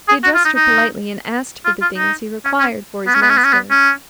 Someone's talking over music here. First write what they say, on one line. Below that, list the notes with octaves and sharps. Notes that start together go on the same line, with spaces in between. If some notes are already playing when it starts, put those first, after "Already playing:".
He addressed her politely and asked for the things he required for his master.
G#4
F#4
F4
D#4
D#4
F4
F4
D#4
C#4
C#4
B3
C#4
B3
C#4
B3
C#4
B3
C#4